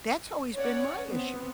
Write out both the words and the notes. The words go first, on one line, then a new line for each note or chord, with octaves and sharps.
that's always been my issue.
C#4 C#5 D5 F#5
B3 C4